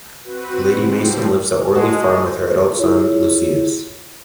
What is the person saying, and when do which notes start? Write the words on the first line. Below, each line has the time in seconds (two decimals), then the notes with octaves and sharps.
Lady Mason lives at Orley Farm with her adult son, Lucius.
0.22 C4 F#4 B4
0.82 F3 G3 C4
1.75 G#3 F#4 A4
2.76 E4 F4 G#4 C#5